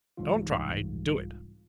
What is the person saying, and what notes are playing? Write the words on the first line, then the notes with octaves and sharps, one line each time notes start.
"Don't try--do it."
C2 G#2 E3 G3 F4